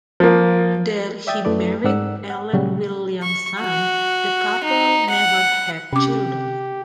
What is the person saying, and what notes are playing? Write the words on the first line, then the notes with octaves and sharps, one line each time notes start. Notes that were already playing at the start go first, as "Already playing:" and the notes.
There he married Ellen Williamson; the couple never had children.
F3 A#3
D5 E5 G5 D#6 A6
F#2 A3 E4 B4 D5
G#2 A#4 D5 F#5 E6
F#5
A#2 C#3 F#3 G3 F#4
C#6
F#4
D#4
F#5
C3 C#4 G4 D6